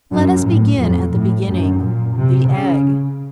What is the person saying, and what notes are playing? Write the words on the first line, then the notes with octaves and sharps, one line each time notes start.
Let us begin at the beginning--the egg.
F#2
A2
F2
A2
F#2
A#2
C3
C#3